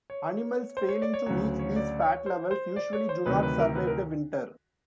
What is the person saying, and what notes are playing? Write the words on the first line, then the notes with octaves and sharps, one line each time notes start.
Animals failing to reach these fat levels usually do not survive the winter.
C#5
C5
C#5
D5
C#5
D2 C#3 F#3 C#5
C#5
D5
C#5
C5
C5
D5
C#5
C5
D2 C3 D#3 F#3 B4
B4
A#4
B4
A#4